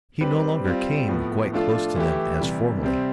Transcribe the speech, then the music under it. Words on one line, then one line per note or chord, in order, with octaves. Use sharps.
He no longer came quite close to them as formerly.
G3 C4 G4 B4
G3 C4 F4
A2 F3 B3
F3 A3 D4 F4 A4
E3 A3 E4 G4
C3 E3 G3
C3 G3 C4